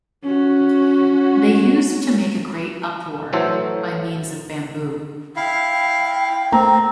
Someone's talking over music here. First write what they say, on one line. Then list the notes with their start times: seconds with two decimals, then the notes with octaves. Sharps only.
They used to make a great uproar by means of bamboo.
0.23 C#4 F#4
3.33 A2 E3 F#3 A4 C5
5.36 E4 F5 G5
6.52 A3 A#3 C4 A#5